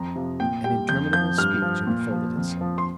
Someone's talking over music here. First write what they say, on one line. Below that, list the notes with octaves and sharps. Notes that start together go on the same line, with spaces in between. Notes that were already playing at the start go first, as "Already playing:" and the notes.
An interminable speech unfolded itself.
Already playing: F2 A#5
C3 F3
A#2 G5
G3 G5
F2 G6
F3 G6
G2 F6
F3
A#2
F3
F2
F3
C6